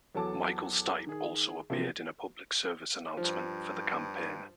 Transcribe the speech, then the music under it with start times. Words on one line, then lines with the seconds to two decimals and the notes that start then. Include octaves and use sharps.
Michael Stipe also appeared in a public service announcement for the campaign.
0.15 E2 F#3 A4 A5 D6
1.07 D#3 G#4
1.70 C3 E3 F3 A#3 C4
3.17 G2 F3